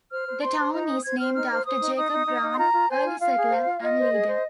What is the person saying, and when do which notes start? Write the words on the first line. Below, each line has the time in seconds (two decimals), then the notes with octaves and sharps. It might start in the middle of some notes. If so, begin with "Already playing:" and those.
The town is named after Jacob Brown, early settler and leader.
0.11 C5 F6
0.27 C5
0.42 C5 C6
0.58 C5
0.72 D#4 A#5
0.88 C5 D#6
1.04 C5 G#6
1.19 C5 F6
1.34 D#4 F6
1.50 C5
1.65 C5 D#6
1.81 D#4
1.96 D#4 D#6
2.11 D#4
2.27 D#4
2.42 D#4
2.52 C6
2.58 F4 A#5
2.73 F4
2.89 C5 G#5
3.04 F4
3.19 F4 F5
3.36 G#4
3.50 C5
3.65 F4
3.81 F4 D#5
3.96 C5
4.13 G#4
4.27 C5